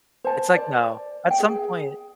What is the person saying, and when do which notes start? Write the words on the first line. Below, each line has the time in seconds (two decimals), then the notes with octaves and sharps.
It's like, no, at some point
0.24 C5 A5
0.55 C5 D5
1.27 F5 G5
1.40 G#4